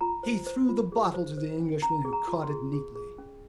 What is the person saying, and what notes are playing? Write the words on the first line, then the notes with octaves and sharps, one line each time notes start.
He threw the bottle to the Englishman, who caught it neatly.
F4 A#5
C5
C5
F4
G#4
C5
C5
C#4
C#4 A#5
G#4
A#5
F4
C6
G#4
G#4
G#4
C#4